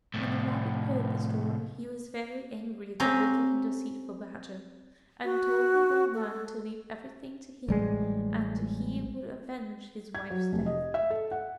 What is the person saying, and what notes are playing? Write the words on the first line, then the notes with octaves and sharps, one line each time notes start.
When the rabbit heard the story he was very angry at the wicked and deceitful badger, and told the old man to leave everything to him and he would avenge his wife's death.
C2 A2
C4 C#4 G4 F5 G#5 A#5
F#4
A4
A1 G3 G#3
G#6
F#3
F1
D#5
E5
A4
F#5